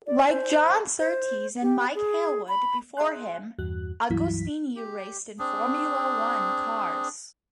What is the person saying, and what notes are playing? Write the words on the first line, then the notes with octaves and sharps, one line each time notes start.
Like John Surtees and Mike Hailwood before him, Agostini raced in Formula One cars.
D5
C5
C5
G4
G#4
B5
G#4 E5 G#5 C6 F#6
E2 G2 F#4 F#6
C#2 G2 E3 F#3 E4 B6
G4
C4 D4 G#4